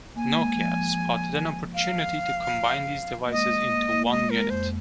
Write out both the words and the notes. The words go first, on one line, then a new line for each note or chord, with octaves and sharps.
Nokia spotted an opportunity to combine these devices into one unit.
A#3 G#5
A#3
G#3
F3
F3
F5
A#3
G#3 D#5
A#3
A#3
G#3 D#5
G#3 A#4
F2 C5